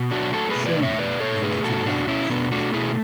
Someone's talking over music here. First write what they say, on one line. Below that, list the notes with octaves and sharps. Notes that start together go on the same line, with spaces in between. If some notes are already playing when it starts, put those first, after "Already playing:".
Sherman donated land for the depot.
Already playing: B2
F#3 D4 F#4
A3 F#4 A4
G#4 B4
B2
B4 D5
A3
C#5 E5
B2 B4 D5
B2 A4 C#5
A3 G#4 B4
B2 F#4 A4
B2 D4 F#4
B2 C#4 E4
B2 B3 D4
A3 D4 F#4
B2 E4 G#4